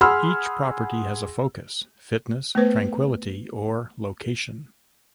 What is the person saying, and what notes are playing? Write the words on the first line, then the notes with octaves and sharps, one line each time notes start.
Each property has a focus: fitness, tranquility, or location.
G#4 F#5 B5 C6 E6 F6
A3 B3 B4 C5